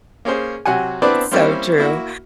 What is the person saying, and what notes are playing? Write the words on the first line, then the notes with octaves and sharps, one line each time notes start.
So true.
A#3 C#4 G#4 C5
C3 F#3 F#4 F#5 G#5
B3 C4 D4 E4 B4 D5
G3 A#3 C4 C#4 E4
A#3 E4 F#4